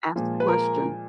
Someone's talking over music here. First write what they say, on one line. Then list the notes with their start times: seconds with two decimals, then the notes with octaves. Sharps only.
ask the question.
0.15 A#2 F3 G#3
0.40 B4
0.48 A#4